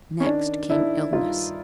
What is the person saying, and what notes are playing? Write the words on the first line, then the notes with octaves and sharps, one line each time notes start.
Next came illness.
C#4
D#3 D4
D#3 D4 E4
G2 D#4 F4